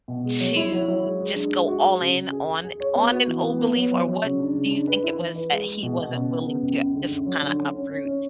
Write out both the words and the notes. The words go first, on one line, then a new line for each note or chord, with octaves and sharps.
to just go all in on on an old belief or what do you think it was that he wasn't willing to just kinda uproot,
B2
G#3
F#3
E4
F#3
F#3
G#3
G#3
D4
G#3
F#4
F#4
C#3
C#3
G#4
G#4
G#4
C#5
B3
F#4
E3
B3
B3
F#3
F#3
F#3
C#3
D4
C#3
D4
B4
E4
E3
B4
G#3
G#3
B2
B2
C#3
B3
C#3
C#2
F#2
D3
F#2
F#3
D3
C#4
C#4
C#4
C#4